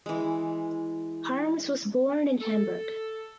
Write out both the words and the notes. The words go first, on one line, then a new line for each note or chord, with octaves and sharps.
Harms was born in Hamburg.
E3 G#3
A4